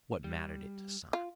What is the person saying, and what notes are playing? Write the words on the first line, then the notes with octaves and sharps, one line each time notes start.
What mattered it to Simon?
G3
F4